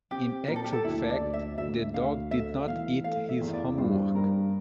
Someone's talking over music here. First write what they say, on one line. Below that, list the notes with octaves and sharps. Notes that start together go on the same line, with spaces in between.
In actual fact, the dog did not eat his homework.
C4 G4
A#2 A#4
A4
G4
A4
D2 E4
D5
D2
E5
D2 E5
D2 F5
A3 E5
E3 F5
A3 F5
E5
E2
D5
G2 C5
G2 A#4